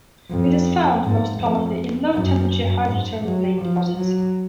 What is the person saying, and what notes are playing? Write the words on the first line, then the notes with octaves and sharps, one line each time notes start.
It is found most commonly in low temperature hydrothermal vein deposits.
F2
G#2
F2
F#2
G#2
F#3
F3
F#3